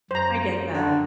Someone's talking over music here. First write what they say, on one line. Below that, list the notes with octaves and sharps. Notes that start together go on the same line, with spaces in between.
I get that.
F#2 C5 A#5
D3